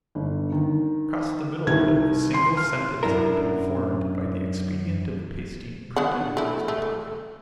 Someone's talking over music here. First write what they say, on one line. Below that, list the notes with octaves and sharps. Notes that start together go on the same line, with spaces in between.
Across the middle of it a single sentence had been formed by the expedient of pasting printed words upon it.
G1
D#3
C2 D#3 G#6
C6 C7
F6
F#2 D4 E4 A#4
B3 D4 F#5
A3 E4
A3
A3